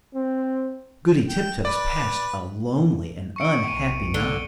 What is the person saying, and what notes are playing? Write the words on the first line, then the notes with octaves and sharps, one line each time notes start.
Goody Tiptoes passed a lonely and unhappy night.
C4
G5
B4 D5
C#6 C#7 D7
B1 D#7
D3 G7